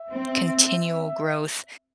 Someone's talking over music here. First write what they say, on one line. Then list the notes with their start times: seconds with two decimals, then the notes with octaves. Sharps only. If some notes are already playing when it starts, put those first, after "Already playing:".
continual growth,
Already playing: E5
0.11 C4